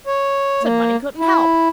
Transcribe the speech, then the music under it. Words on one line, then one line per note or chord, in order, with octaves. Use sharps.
Said money couldn't help.
C#5
A#3
E4